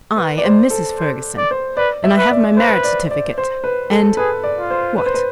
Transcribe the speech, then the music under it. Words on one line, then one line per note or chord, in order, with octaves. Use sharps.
I am Mrs. Ferguson, and I have my marriage certificate, and--What!
B4
D5
C5
A4
C5
D5
C5
B4 D5
E5
B4
D5
B4 C5
D5
D5
C5
B4
A4
G#4 B4
D5
F4
C5
B4
C5
B4